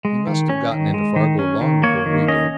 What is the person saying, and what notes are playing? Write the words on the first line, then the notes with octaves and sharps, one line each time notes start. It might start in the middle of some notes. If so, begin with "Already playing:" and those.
He must have gotten into Fargo long before we did.
G#3
D#3
C#4
D#3
G#3
D#3
C#4
D#3
A#3 C#5
D#3
C#4 D#5